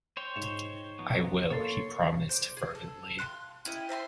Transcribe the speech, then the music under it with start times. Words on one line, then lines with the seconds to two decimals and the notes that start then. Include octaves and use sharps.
"I will," he promised fervently.
0.17 C5 C#5 G5
0.36 G#2 C#7 E7
0.99 F3 F#3 B3
1.50 A#3 A4 C#5 C6 A6
2.29 C5 D5
2.57 G#4
2.75 A4
3.19 F5 A5 C6 F#6
3.65 C#4 E4 G4 D#5
3.89 C5 E5 A#5 C6